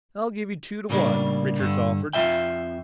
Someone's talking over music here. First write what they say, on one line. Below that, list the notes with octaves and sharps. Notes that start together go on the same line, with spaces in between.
"I'll give you two to one," Richards offered.
A2 C#3 G3 A#3 D4
G2 D3
F2 D#3 F4 E5 G5